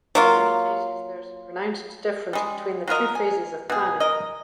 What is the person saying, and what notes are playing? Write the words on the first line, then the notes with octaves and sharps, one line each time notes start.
In many cases there is a pronounced difference between the two phases of planning.
F#3 A#3 F4
G3 G#3
F#3 F4 A#4 D#5
G#5
B2 G#4
A#4 D#5